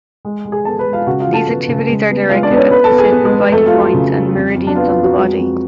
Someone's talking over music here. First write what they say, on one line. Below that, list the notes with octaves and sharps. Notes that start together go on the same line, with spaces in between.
These activities are directed at specific vital points and meridians on the body.
G#3
G#3
G#4 G#5
B3 A4 A5
B4 B5
G#3
F4 F5
C#3 F#4 F#5
F4 F5
F3
A4 A5
B3
C#3
G#3
B3
G#3 F4 F5
D4 D5
B3
C#4 C#5
B3 B4 B5
A4 A5
B3
G#4 G#5
B3 B4
G#3 G#4
B3
F2 A3 A4
F4
F#3
F4
C#3
F#3
F2
F2
D4
B3 F4
F4
F2
F#3 F#4
G#3
F2